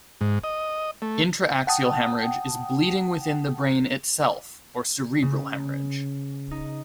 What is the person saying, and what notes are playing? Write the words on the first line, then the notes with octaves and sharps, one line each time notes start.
Intra-axial hemorrhage is bleeding within the brain itself, or cerebral hemorrhage.
G#2
D#5
A3
F#5 G5 A5 D#6
C#3
D#4